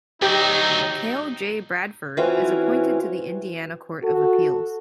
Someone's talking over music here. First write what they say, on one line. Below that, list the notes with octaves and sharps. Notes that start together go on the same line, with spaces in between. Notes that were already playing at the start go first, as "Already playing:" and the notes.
Cale J. Bradford is appointed to the Indiana Court of Appeals.
D2 F#3 D#4 G4
E3 C4 C#4 F4 F#4
F#4 A4